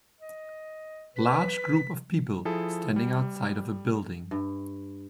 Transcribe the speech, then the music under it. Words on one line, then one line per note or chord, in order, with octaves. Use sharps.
Large group of people standing outside of a building.
D#5
B4 B6
B6
F3 E4 G#4 A4
G3
G2